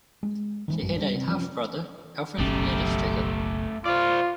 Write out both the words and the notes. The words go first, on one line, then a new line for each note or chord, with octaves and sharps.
She had a half brother Alfred Ledersteger.
G#3
D#3 E3 G#3
A1 F#2 F#3 G3
G3 B3 D4
C3
E3 F3 G#3 C#4
F#1 B1 A3 C#4 G4
F4 C5 D5